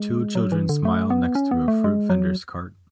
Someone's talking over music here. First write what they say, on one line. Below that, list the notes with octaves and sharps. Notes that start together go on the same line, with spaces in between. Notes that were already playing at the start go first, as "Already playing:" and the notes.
Two children smile next to a fruit vendor 's cart.
Already playing: G#3
F#3
E3
D3
A3
B3
C#4
B3
A3
G#3
F#3